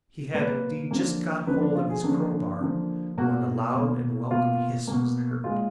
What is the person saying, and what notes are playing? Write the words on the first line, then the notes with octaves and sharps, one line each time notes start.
He had indeed just got hold of his crowbar when a loud and welcome hiss was heard.
A#2 F#3 A#3 B4
D3 F3 A#3
D3 F3 A#3 B4
D4
F4
G#4
D3 F3 A#3
D3 F3 A#3
B2 A#3 F#4
B2 A#3
B2 A#3 F4
B2 A#3
A#2 G#3 F4